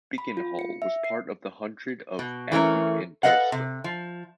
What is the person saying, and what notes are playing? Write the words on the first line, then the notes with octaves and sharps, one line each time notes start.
Bickenhall was part of the hundred of Abdick and Bulstone.
B5
F4
C#7
E5
C7
B2
E3 A3 C#4 A#4
A4 B4 C5 D#5 F5 F#5
C3
F3